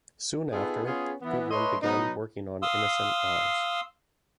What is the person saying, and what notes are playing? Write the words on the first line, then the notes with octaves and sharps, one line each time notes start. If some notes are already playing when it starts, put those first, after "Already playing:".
Soon after, Goodrem began working on Innocent Eyes.
B3 D#4 F4 G#4 A4 B4
B3 C#4 F4 G#4
E3 B3
A3 B4 C#5 D#5 C6
B2 F#3 B3 D#4
F5 C6 D#6 E6